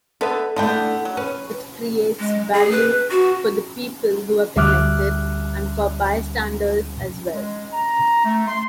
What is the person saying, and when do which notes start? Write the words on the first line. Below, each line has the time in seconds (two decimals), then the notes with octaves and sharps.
It creates value for the people who are connected, and for bystanders as well.
0.21 D3 B3 A4 B4 E5
0.56 D3 A3 B3 D4 E4 G5
1.05 F#3
1.17 C#4 B4
2.19 G#3
2.53 G#4
2.71 B4
3.11 F#4
4.56 D2 G3 E5 D6 F6 F#6
7.33 G#3
7.73 A#5
8.25 A3
8.48 C6